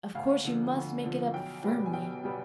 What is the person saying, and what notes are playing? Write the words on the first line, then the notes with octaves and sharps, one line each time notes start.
Of course, you must make it up FIRMLY.
D2 F5
D3 F3
D2
D3 F3
B1 G5
B2 G3 B3
G#5
B1 G5
B2 G3 B3